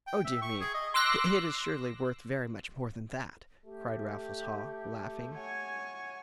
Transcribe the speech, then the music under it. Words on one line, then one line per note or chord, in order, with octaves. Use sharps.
"Oh dear me, it is surely worth very much more than that," cried Raffles Haw, laughing.
G5
E5
C#6
G#4
D#5
C6 D6 E6 F#6 A#6
A3 G4
C#5 F#5 G#5